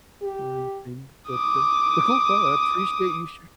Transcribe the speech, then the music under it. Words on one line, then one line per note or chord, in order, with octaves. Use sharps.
or anything, but uh, but cool. Well, I appreciate you sha
G4
D6 D#6